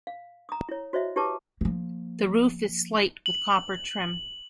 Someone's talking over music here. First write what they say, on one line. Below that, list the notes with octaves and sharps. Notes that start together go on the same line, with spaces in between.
The roof is slate with copper trim.
F5
A#5 D#6
E4 C#5
F#4 C5 C#5 D#5 E5
E4 G4 B4 C#5 A5 D6
F3 A#3
F#7